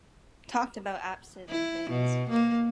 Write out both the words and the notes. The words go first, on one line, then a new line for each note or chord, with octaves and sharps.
Talked about apses and things.
E4
B2
A#3